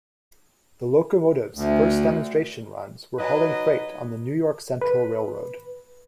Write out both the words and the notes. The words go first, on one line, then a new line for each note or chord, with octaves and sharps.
The locomotive's first demonstration runs were hauling freight on the New York Central Railroad.
D2
F#3 D#4 B4 D#5
B4